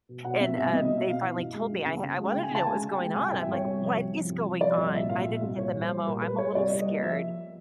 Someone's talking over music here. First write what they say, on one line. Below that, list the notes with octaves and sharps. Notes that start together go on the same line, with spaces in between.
and, um, they finally told me I ha I wanted to know what was going on, I'm like, "What is going on? I didn't get the memo, I'm a little scared,"
B2
B2 F#5
C4 E5
C2 E5
C4 D#5
D#5
C4
E5
B2 F5
E3
F#2
G#3
F#2
C#3
C#3
G#3
G5
C#3
G#5
C#3 A5
G#3 G#5
C#3
G5
G#3
C2 G#5
G5
C2
E5
C2 C#5
C2
F3
C2
F3
C2
F3
F3 D5
C2 D#5
A#2 E5
A#2 F5
E5
A#2
E5
C2
A#2 C#5
G3
C5
G3
A#2 A#4
G3 B4
G3 C#5
C2 D5
G3
D#5
A#3
F3 E5